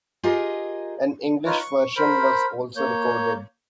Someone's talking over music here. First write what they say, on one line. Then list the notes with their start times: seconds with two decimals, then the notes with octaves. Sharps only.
An English version was also recorded.
0.23 F4 G4 G#4 A#4 D#5
1.45 D#4 F4 B4 C#5
1.61 C#6
1.97 A#4 C5 B5
2.76 A#3 C#5 G6